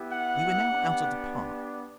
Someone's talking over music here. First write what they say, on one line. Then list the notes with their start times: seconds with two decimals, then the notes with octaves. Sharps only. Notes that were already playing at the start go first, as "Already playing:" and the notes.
We were now out of the park.
Already playing: B3 E4 G4
0.13 F#5
0.70 B3 D4 G4